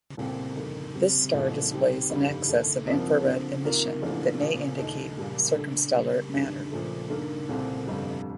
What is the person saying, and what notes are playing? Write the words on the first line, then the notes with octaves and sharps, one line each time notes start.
This star displays an excess of infrared emission that may indicate circumstellar matter.
C2 A#2 A3 C4 G4
G1 F2 D#3 A#3
C3 G3 C4
C2 A#2 F3 A3 D#4
D#2 D#3 G3 C4 G4
G1 F2 D#3 G3
D#2 D#3 A3
C2 C3 F3 A#3 D#4
D3 F3 C4
C3 D#3 A#3 F4 A#4
A1 A2 F3 A#3 D4
A#1 A#2 F3
D#2 D3 A3 D#4
A#1 A#2 G3 A#3
D3 A3 D4 A4
D3 G3 A#3
F1 D#2 D3 G3 D4
A#2 F3 A3
G2 D#3 A#3 D4 A4
C2 A#2 A3 C4
G1 F2 C3 G3